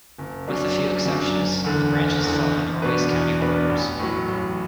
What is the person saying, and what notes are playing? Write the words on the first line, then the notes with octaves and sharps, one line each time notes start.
With a few exceptions the branches follow Norway's county borders.
F#1
F#2 F#3 D4
F#1
F#2 F#3 D4
F#1
E2 D3
F#1
E2 D3
E2
B2 B3 D4 B4
E2
B2 B3 D4 B4
A1
A2 F#3
A1